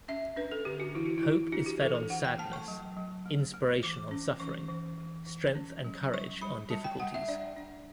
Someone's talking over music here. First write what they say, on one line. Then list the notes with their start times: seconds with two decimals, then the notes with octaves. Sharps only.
Hope is fed on sadness; inspiration on suffering; strength and courage on difficulties.
0.08 C#4 E5
0.36 D4 B4
0.52 A4
0.65 D3 G4
0.80 F#4
0.95 E3 E4
1.06 F#4
1.18 E4
1.23 E3
1.52 D4 F#4
1.66 G4
1.81 E3 A4
1.95 A4
2.10 E3 F#5
2.25 G5
2.38 A3 A5
2.53 C#6
2.68 F#3
2.97 F#3
3.26 A3
3.54 A3
3.83 E3 D6
4.11 C#4
4.40 E3 C#6
4.69 E3
4.98 E3
5.26 E3
5.55 C#4
5.84 F#3
6.13 G3 C#6
6.41 G3 B5
6.71 G3 A5
6.84 G5
7.00 G3 F#5
7.14 E5
7.28 D4 D5
7.56 D4